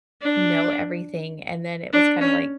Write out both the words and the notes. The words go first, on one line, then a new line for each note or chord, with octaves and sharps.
know everything, and then it was kinda like,
D4
D4
C#4